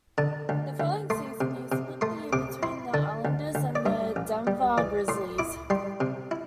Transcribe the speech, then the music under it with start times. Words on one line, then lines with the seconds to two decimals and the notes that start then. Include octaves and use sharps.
The following season, he split the year between the Islanders and the Denver Grizzlies.
0.18 D3 A5
0.49 D2
0.80 D2
1.10 A3 C6
1.41 C3
1.72 C3
2.01 A3 C6
2.33 C3 D6
2.63 E4 C6
2.94 D3 A5
3.25 D2
3.55 D2
3.75 D5
3.86 G2 E5
4.16 A1
4.47 G3
4.78 E3 D5
5.08 A2 C6
5.38 E4 D6
5.70 G3 C6
6.00 C3
6.31 E4